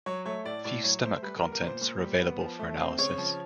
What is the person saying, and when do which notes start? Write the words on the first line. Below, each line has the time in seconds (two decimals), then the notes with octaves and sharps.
Few stomach contents were available for analysis.
0.06 F#3 C#5
0.26 A3 C#5
0.45 A2 D5
0.64 A2 D5
0.84 F#3 C#5
1.04 A3 C5
1.22 G3 B4
1.38 B3 A#4
1.52 A#4
1.62 A#2 C5
1.81 A#2
2.01 G3
2.20 B3
2.40 F3
2.59 A3
2.79 C4
2.98 C#3 C#5
3.18 F3